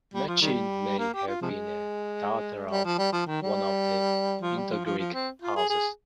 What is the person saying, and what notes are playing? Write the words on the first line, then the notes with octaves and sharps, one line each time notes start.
Machene may have been a daughter of one of the Indo-Greek houses.
G3
F3
D#3 G3
A#3
G4
F4
C3 F3 G#3
G3
F3
G3
F3
D#3
G3
F3
G3
F3
F3
F3
C4
F4
G#4
G#4